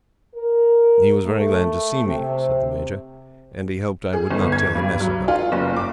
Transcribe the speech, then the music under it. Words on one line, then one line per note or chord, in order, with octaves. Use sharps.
He was very glad to see me," said the Major, "and he hoped I would not tell the Mess about it.
A#4
A3
C3
G#4
G1
G#6
G2
F#3
F4
F#1
D6